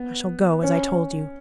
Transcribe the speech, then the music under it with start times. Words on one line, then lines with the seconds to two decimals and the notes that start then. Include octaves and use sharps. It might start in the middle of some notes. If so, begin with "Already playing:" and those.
I shall go, as I told you.
Already playing: B3
0.63 C#4